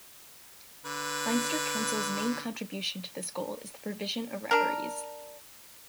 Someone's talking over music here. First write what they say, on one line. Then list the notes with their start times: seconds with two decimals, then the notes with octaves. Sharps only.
Leinster Council's main contribution to this goal is the provision of referees.
0.85 D3 B4
4.51 D4 A#4